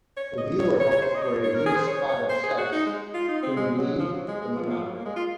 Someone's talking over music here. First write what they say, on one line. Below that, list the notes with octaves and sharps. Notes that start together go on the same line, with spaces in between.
This viewer hoped for a wee spot of sex to relieve the monotony.
C#5
D#5
C#5
C#5
C#5
C5
D#5
C#5
C#5
A#4
G#4
C5
C#5
C#5
C5
G#4
F#4
D#4
G#3
F4
D#4
C4
G#3
F#3
F3
F#3
G#3
G#3
F3
F3
F#3
A#3
G#3
F4